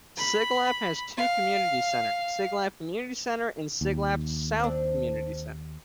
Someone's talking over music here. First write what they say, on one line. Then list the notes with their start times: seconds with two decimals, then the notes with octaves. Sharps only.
Siglap has two community centres, Siglap Community Centre and Siglap South Community Centre.
0.17 B5
1.17 F5
3.81 D#2
4.59 C4 D4